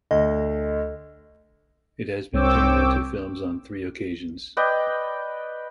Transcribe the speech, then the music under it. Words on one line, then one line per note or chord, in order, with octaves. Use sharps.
It has been turned into films on three occasions.
D2 D#5
C2 C4 C#5 G5 D6 E6
B4 D5 D#5 G5